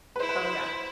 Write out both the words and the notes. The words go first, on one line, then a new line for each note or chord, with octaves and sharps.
Oh, yeah.
B4
E4 C5
B4
C5